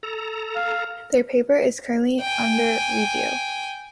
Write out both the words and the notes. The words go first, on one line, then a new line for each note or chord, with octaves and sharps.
Their paper is currently under review.
A4 A#5
F5
G5 G#5